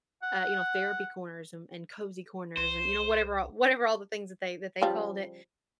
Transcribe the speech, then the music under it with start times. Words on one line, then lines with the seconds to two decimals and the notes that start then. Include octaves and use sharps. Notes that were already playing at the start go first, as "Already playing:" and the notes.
uh, you know, therapy corners and and cozy corners and, you know, whatever all whatever all the things that they that they called it.
0.23 F#5
2.57 C2 C5
4.82 C#3 F3 G3